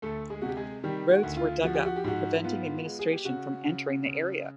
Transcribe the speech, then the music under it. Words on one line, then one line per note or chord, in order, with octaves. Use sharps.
Roads were dug up, preventing administration from entering the area.
D2 A3 A4
G#3 G#4
C3 F#4
G4
G#3 G#4
D#3 G3 G4
F#4
D2
F4
F3 F#4
G4
F#4
G4
G#2 F#4
B3 F4
G#3
G#4
G4
C#3 F#4
C#3
C#3